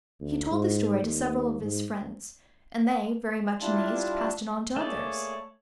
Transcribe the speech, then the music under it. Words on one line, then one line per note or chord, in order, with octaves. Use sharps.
He told the story to several of his friends and they, very much amazed, passed it on to others.
D2
G#2
D#2
G#2
G3 D4 E4 F4 A5
A3 A#3 G#4 C#5 D5